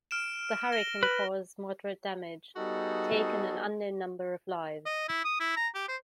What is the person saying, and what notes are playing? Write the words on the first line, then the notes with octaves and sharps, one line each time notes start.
The hurricane caused moderate damage, taking an unknown number of lives.
F6 D7 E7
A#6 G7
B4
G3 B3 D#4 F#4 G#4 A4
D#5
E4
D#6
E4
A#5
G4
C5